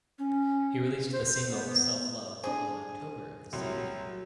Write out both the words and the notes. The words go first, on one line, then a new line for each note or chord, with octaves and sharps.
He released the single "Self Love" on October of the same year.
C#4
C5
B3
D4 G#4 C5 D#6
C2 F#3